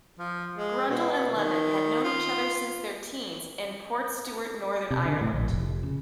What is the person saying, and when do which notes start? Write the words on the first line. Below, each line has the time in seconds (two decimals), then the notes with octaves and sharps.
Grundle and Lemon had known each other since their teens in Portstewart, Northern Ireland.
0.19 F3
0.58 G#3
0.90 B2
1.35 D#3
2.04 F4
4.91 C3
5.05 D3
5.21 A2
5.33 A#1
5.49 F1
5.84 C#3